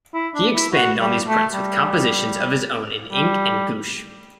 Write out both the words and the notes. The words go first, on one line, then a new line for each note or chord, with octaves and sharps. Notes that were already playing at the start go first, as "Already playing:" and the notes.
He expanded on these prints with compositions of his own in ink and gouache.
E4
D4
E4
F#4
G3
A3
G3
G3